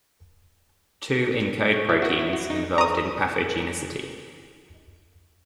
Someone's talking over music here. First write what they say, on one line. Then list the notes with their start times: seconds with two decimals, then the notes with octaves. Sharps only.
Two encode proteins involved in pathogenicity.
1.74 C#5
1.89 E4
2.02 F#4
2.19 E4
2.33 F#4
2.50 D#4
2.78 A#5 D#6